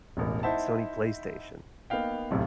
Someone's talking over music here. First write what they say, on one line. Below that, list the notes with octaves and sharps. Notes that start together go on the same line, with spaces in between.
Sony PlayStation,
E1 A1 A#4
D#4 E4 C5 E5 F#5 A5
A#3 B3 D#4 F5 G5
D1 B1 C3